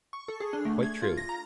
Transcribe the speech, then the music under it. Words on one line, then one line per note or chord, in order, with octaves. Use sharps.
Quite true.
C#6
A4
G#4
D4
A3
G#6
F4
A#6
A#5